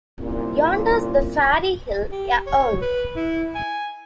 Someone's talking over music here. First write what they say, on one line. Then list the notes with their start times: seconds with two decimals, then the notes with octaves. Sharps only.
Yonder's the Fairy Hill a' alowe.
0.20 C2 F#2 A#2
2.12 G4
2.47 C#5
2.82 B4
3.16 E4
3.55 G#5